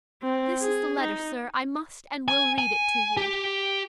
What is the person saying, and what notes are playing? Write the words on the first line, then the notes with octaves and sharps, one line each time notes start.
This is the letter, sir; I must and will read it to you.
C4
G#4
D#4
G#5
G#5
G4